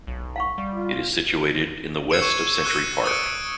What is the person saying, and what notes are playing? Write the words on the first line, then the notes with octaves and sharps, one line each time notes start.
It is situated in the west of Century Park.
B1
F5 F#5 C#6
G3
F4
E6 G#6 C7 C#7 E7
C#6 C#7 D#7 E7
C#6 E6 F#6 D#7 G7
D#6 A6 C#7 D7